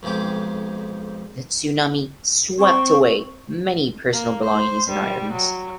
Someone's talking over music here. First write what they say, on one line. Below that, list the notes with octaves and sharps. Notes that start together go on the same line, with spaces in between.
The tsunami swept away many personal belongings and items.
B1 F2 G#2 G#3 G4
C4 C#6
A#3
C5
G3
F#3